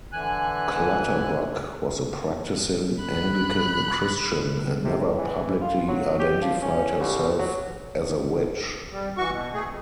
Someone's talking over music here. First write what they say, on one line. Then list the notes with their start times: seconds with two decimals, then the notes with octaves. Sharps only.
Clutterbuck was a practising Anglican Christian, and never publicly identified herself as a witch.
0.13 D3 E3 G#5 F#6
3.01 B5 F#6
4.85 C3
4.99 A2
5.18 E3
5.62 F4
5.88 F#3
6.20 G4
6.42 F3
6.62 C#4
7.00 C2
7.39 F#3
8.91 G3
9.17 E3 F#4 C#6
9.31 B2
9.53 A3 G#4
9.65 F2